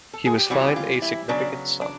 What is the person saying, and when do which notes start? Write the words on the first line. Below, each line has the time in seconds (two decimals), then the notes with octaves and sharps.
He was fined a significant sum.
0.13 A4
0.26 G#4
0.37 G4
0.50 E3 G3 C4 F#4
0.76 F4
1.02 E4
1.28 C#3 F#3 B3 D4
1.81 D4